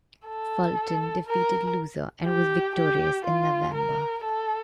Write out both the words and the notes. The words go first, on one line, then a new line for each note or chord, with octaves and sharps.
Fulton defeated Loser and was victorious in November.
A4
A#4
G4
G4
F4
A#4
A4